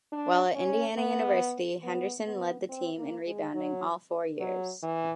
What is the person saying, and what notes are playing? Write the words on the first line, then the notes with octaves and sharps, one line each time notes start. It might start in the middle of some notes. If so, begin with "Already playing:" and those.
While at Indiana University, Henderson led the team in rebounding all four years.
D4
C#4
B3
B3
B3
C4
A#3
G#3
F#3
F#3
E3